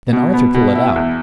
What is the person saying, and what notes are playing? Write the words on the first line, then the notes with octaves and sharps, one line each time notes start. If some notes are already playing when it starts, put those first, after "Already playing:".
Then Arthur pulled it out.
B2
B3
B2
E4
E2